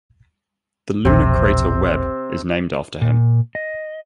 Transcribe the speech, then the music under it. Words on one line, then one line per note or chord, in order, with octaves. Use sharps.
The lunar crater Webb is named after him.
E1 A#1 C3 C4
A#2
D#5